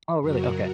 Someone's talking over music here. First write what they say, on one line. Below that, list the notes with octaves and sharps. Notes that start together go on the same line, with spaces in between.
Oh, really? Okay.
F#2 C#3 F#3 F#4 A#4